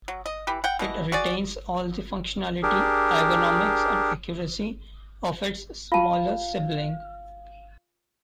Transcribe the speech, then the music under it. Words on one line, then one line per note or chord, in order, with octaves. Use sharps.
It retains all the functionality, ergonomics and accuracy of its smaller sibling.
F#3
D#5
E3 G4 B4
F#5 G5
B2 E3 D#5
F#4 G#4 D5
D4 G4 G#4 A#4
F4 F5 A5